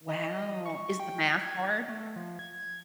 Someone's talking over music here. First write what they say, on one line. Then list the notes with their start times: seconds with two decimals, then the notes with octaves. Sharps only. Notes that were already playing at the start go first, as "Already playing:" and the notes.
Wow, is the math hard?
0.09 D#5
0.65 C#6
1.00 G5
1.31 G#6
1.89 A3
2.16 F3
2.39 G#6